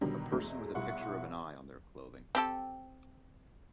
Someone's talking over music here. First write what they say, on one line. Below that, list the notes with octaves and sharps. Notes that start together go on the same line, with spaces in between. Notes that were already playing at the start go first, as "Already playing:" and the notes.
A person with a picture of an eye on their clothing.
B2 D3 D#3 F#3 G3
E2 F#3 G#3 A3
B1 G3 E4 F#5 C6 C#6
C4 G4 A4